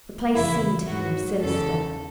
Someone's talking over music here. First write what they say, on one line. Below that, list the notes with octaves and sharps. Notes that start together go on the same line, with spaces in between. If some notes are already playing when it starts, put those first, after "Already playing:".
The place seemed to him sinister.
E2 C#3 E3 E4
G#2 F#3 F#4
E2 C#3 E3 A4